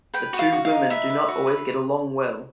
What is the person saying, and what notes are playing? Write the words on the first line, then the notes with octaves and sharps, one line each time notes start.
The two women do not always get along well.
B4 G5
F#4
F5
F#4
F5
D#4
B4 E5
B4
F#4
B4